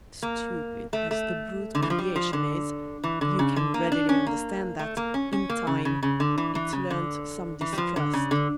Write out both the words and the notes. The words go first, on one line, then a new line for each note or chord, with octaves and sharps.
Stupid as the brute creation is, you can readily understand that, in time, it learnt some distrust.
A#3
A3
A3
D3
E3
F3
G3
F3
D3
E3
D3
C#3
D3
A#3
D4
C#4
A#3
A3
A#3
C#4
C#4
A#3
C#3
C#3
C#3
D3
E3
E3
C#3
D3
E3
G3
F3
D3
C#3
D3